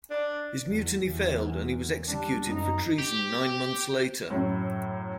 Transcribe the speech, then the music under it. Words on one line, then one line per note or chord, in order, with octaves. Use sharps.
His mutiny failed and he was executed for treason nine months later.
D4
E2
E2
G3 D4
F#2 D#4
G4
F#2 A2